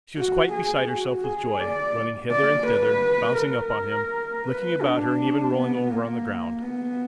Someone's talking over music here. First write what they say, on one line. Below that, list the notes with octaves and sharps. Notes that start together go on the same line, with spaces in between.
She was quite beside herself with joy, running hither and thither, bouncing up on him, looking about her and even rolling over on the ground.
F#4
G#4
F#4
G#4
D5
D5
B4
A#4
B4
D4
B3
A#3
B3